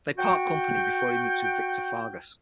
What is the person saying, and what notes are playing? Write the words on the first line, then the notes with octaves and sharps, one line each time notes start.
They part company before he meets with Victor Fargas.
F#4 G5